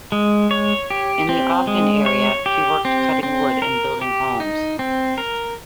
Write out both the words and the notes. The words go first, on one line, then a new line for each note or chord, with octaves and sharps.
In the Ogden area, he worked cutting wood and building homes.
G#3
C#5
G4
C4
G#3
C#5
G4
C4
C4
A#4
G4
D#4
C4
A#4